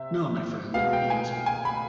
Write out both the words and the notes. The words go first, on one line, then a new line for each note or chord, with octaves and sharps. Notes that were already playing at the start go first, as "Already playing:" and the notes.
"No, my friend," he answered.
Already playing: C3 E5
B2 G#3 B3 F5
G5
G#5
G#5
B5